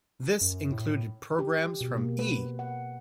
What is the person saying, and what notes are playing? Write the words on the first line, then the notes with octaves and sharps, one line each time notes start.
This included programs from E!
F#2
A2
G4
B2
A#3
B4
F#5